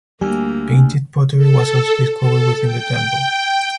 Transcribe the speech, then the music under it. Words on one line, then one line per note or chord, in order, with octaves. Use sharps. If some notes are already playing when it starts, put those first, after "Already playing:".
Painted pottery was also discovered within the temple.
D2 G3 A#3 G4 G#5
A4
A4
G5